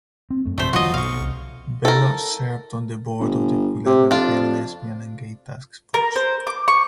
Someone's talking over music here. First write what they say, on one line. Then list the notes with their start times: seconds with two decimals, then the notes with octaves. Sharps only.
Bello served on the board of the Philadelphia Lesbian and Gay Task Force.
0.30 C4
0.45 F#2 A3
0.58 A#1 C3 F3 A3 C5 B6
0.73 E1 D3 E3 F#3 F4 F#4 D#5
0.94 B1 B2 F5 C#6
1.20 C2
1.85 A4 A#4
3.20 G1
3.86 C3
4.11 F2 D4 F4
5.94 A#4
6.16 C5
6.47 D6
6.68 C#6